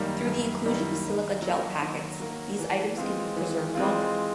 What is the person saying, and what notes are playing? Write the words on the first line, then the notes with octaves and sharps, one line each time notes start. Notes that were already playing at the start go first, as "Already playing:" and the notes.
Through the inclusion of silica gel packets, these items can be preserved longer.
Already playing: F#2 D#3 G3 A#3
F#2
D#3 G3 A#3
D#3
F#3 A#3
D#3
F#3 A#3
E3
G#3 C4 F4
E3
G#3 C4 F4